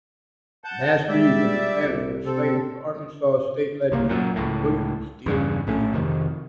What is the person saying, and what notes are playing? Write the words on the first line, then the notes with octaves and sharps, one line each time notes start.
Bass Reeves and his family were slaves of Arkansas state legislator William Steele Reeves.
F#5 A5 G6
G3 G#3 D5 E5
C2
C3 C4 A4
C2 C3 A#3
F#2 A#2
C#2 A2
E2 G2 C#3
A#1 A2 A3 C#4
F2 C3 D#3